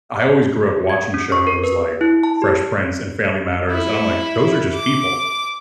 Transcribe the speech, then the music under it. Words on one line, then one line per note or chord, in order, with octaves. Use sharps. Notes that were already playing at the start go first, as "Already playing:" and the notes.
I always grew up watching shows like Fresh Prince and Family Matters, and I'm like, "Those are just people,"
G#6
C#4
C#6
A#4
B4
E4
A5
G4
E4
D6